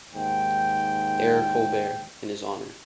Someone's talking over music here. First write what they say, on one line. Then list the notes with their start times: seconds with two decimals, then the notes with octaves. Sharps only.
"Air Colbert", in his honor.
0.15 D#2 G#2 G5